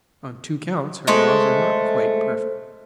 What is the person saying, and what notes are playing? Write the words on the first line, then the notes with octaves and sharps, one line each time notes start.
On two counts, her laws are not quite perfect.
G#3 A3 A4 C5 D#5